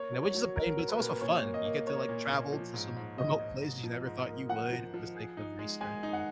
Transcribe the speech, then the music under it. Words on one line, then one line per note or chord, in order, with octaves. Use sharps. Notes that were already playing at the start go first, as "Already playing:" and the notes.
you know, which is a pain, but it's also fun, you get to, like, travel to some remote places you never thought you would for the sake of research and
Already playing: A#3 C#5
F#3
C#5
F#3
F#3 A#4
F#3
B4
A#2 A#4
B4
A#2 C#5
A#3
D#5
A#3
A#3 C#5
A#2
A#2
F3
G#2
G#2
G#2 D#5
G#2
G#2
F3
G#2
A#3
F3 F#5
F3
F3
G#4
D#4
G#3
G#3 G#5
D#4
F#5